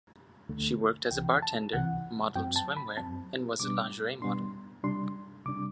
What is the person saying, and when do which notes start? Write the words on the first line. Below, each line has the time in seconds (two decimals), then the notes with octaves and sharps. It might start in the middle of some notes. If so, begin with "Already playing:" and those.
She worked as a bartender, modeled swimwear and was a lingerie model.
0.49 D2 D3 A3
1.11 C2 C3 E3 G5
1.42 A5
1.73 C2 C3 E3 F#5
2.35 F#2 F#3 C4 G5
2.56 A5
2.77 B5
2.97 F#2 F#3 C4 A5
3.60 B2 G3 B3 D4 D6
4.22 B2 G3 B3 D4 C6
4.83 C3 G3 D4 C6
5.46 C3 G3 D4 D6